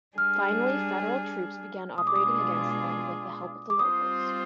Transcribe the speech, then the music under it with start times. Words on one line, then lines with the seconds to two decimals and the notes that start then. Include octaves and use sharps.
Finally Federal troops began operating against them with the help of the locals.
0.18 G3 D4 G#4 F6
1.98 B2 G#3 D4 F4 G#4 D#6
2.07 D6
2.16 D#6
3.70 D6
3.78 G3 C4 F4 C5 D#6